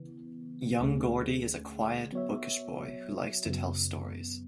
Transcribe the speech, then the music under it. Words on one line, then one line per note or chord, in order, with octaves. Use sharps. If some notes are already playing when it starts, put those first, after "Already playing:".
Young Gordie is a quiet, bookish boy who likes to tell stories.
Already playing: C#3 E3 B3
D2 D3 A3 C#4 G#4
F#3 B3 F#4 C#5 E5
F#2 C#3 F#3 B3